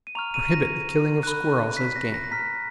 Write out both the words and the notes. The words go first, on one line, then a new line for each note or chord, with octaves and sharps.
Prohibit the killing of squirrels as "game."
D#7
A#5 C#6 F6 F7
D#7
A#6
B5 F#6
B6
A#6
A#6
A#6
A#5 F6 B6